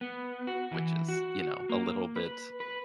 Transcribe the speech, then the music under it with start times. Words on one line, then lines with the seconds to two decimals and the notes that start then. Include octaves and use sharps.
which is, you know, a little bit,
0.01 B3
0.47 F#4
0.72 E3
1.08 F#4
1.69 A#3
2.16 B4
2.60 B4